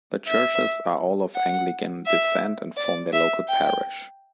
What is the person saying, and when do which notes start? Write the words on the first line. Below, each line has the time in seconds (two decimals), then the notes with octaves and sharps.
The churches are all of Anglican descent and form the local parish.
0.28 E5
1.35 F#5
2.06 E5
2.77 D5
3.13 E5
3.48 G5